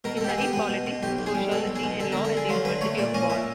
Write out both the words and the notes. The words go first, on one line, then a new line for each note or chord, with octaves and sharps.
He studied politics, sociology and law at the University of Bonn.
B2 A#4
A4
B2 G4
G#4
B3 G4
B3
B2
B2
B1 G4
B1
G#4
G3
B2 A4
B1
G#4
B2
D3 A4
A#4
D3
A4
D3 G#4
F#3 F4
D3 B4
A3 C#5
A#2 D5
C#4 D#5
A#2 E5